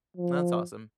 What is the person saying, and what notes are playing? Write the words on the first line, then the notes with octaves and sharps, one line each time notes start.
That's awesome.
F3